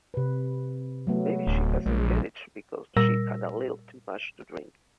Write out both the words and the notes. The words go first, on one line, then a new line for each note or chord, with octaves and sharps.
Maybe she has a headache because she had a little too much to drink.
C3 B4
F#3 A3 B3
D1
A#1 G#3
A#2 G3 A#4 E6 A#6